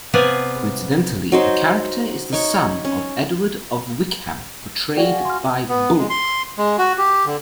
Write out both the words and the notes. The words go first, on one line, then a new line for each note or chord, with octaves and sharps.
Coincidently the character is the son of Edward of Wickham portrayed by Bulloch.
C3 B3 B4 D5 F5 G#5
F#3 D#4 C5
D#4 C#5
C#4
F#4 G#4 D5 F5 G5 G#5
C6 F6
B3
G#3
C6
G#3
F#4
G4
D3